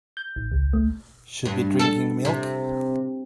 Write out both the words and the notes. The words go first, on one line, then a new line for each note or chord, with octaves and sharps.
Should be drinking milk.
G6
A1
C#2
A3
G2
A4
C3